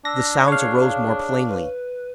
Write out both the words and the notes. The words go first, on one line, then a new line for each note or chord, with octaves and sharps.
The sounds arose more plainly.
D4 E6 A#6
G#4 C#5 F5
B4